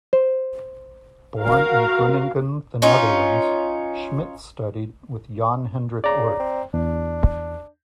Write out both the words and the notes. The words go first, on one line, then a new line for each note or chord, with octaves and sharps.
Born in Groningen, The Netherlands, Schmidt studied with Jan Hendrik Oort.
C5
F#4 A#4 F5
C#4 D#4 F4
C#3 D5 A#5
C4
E2 D4